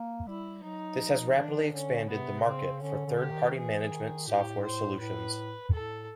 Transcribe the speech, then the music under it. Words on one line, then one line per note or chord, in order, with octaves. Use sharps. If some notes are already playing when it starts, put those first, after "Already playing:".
This has rapidly expanded the market for third-party management software solutions.
Already playing: A#3
G3 E4
F#3 D#4
F3
D#3 D4
E3
D#3
D3 C#4
C3 B3
C#3 C4
D3 C#4
D3
G4
D#3
E3 G#4
D#3
A2 G4
C5
A2 B4
A2 A4